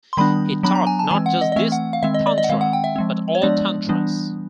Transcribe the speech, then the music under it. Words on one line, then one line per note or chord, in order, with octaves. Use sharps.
He taught not just this tantra, but all tantras.
C6
D#3 G3 B3 D4 B5
F#3 B3 D4 B5
A#5
G#5
A5
E3 G#3 C4 G#5
F#5
D#5
D#5
E3 A3 C4 E5
F#5
F5
D#3 G#3 C4 E5
D#5
D5
D#5
F#5
D#3 G#3 C4 F5
F#5
G5
E5
F3 G#3 C4
C#5
F3 G#3 B3 D4 D5
E3 G3 B3 D4